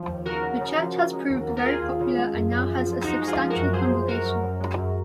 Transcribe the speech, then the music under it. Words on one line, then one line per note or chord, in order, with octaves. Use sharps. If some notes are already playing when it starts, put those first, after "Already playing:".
The church has proved very popular and now has a substantial congregation.
Already playing: F3
D#2
C#3 F#4 A#4
C#3
C#3
F3
C#3
G#3
D#2
D#2
A#4
D#2 F4 G#4
D#2
C#3
G#3
F#2
F#2
F3
F3
F3 D#4 F#4
G#3
F4 G#4
F3
F#4 A#4
F#2
F3 G#4 C5
F#2
F#2 F#4 A#4
F#2
F#2
G#3
F#2